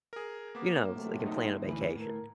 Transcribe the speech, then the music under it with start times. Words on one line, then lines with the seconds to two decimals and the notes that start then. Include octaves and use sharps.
you know, so they can plan a vacation,
0.13 G#4 A#4
0.55 A#3 B3 D6
0.95 C3 F#3 A3
1.26 D#4
1.64 D2 E3 B4
1.96 A2 A#4